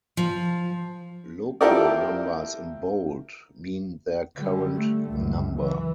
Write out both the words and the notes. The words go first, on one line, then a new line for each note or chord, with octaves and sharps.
Loco numbers in bold mean their current number.
F3
E4 F4 G4 A4 A#4 D5
D3 G3
A3
C#2 F#2
E3